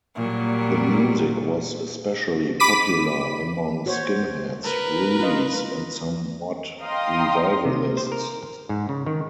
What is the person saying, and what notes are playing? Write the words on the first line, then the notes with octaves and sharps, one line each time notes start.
The music was especially popular among skinheads, rudies and some mod revivalists.
A#2 F#3 G3
B5 D6 B6 D#7
F#4 C5 C#5
A#4 B4
F4 D#5
D#5 F5 G5 A#5 C6 D#6
C3
C5
A#4
G#2
C#3
D#3